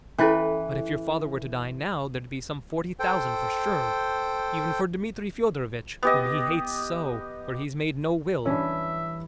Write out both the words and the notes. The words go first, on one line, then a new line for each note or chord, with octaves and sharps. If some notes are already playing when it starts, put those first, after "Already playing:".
But if your father were to die now, there'd be some forty thousand for sure, even for Dmitri Fyodorovitch whom he hates so, for he's made no will....
E3 C#4 E4 A4 B4
A4 C5 G5
B3 G4 D#5
E3 G3 C#4 D4 E5